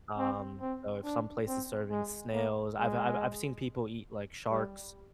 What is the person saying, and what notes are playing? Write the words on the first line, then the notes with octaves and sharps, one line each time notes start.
um, so if some place is serving snails I've I've I've seen people eat like sharks,
C4
C4
D4
C4
G#3
A#3
G#3
G3